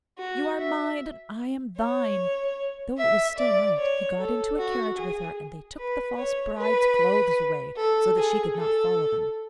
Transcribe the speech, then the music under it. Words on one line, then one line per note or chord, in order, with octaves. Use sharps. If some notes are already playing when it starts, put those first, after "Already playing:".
You are mine, and I am thine.' Though it was still night, he got into a carriage with her, and they took the false bride's clothes away, so that she could not follow them.
F#4
E5
C#5
E5
D5
C#5
A4
F#4
G#4
B4
C#5
B4
A4
G#4
A4